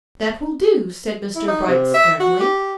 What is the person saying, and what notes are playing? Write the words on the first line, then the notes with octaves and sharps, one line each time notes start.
"That will do," said Mr. Bright sternly.
E4
D#4
C3
E5
F#4
G4